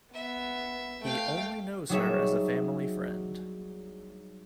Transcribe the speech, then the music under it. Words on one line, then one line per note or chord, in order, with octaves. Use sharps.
He only knows her as a family friend.
B3 E5
A3 F5 G5
F#3 G3 D#4 G#4 C#5 E5